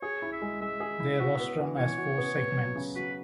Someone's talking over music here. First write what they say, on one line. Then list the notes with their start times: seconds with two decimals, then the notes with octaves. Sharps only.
Their rostrum has four segments.
0.02 G#4 C#5
0.22 E4
0.32 E5
0.42 G#3
0.61 G#3 E5
0.80 G#4
1.00 E4
1.20 F#4
1.40 B3
1.59 E3
1.78 E3 C#5
1.98 F#4
2.17 B3
2.37 B3
2.57 F#3
2.76 C#3
2.95 F#4 B4